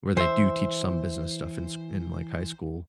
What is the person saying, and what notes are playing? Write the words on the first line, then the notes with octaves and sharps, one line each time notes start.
where they do teach some business stuff in s in, like, high school.
E3 C5 E5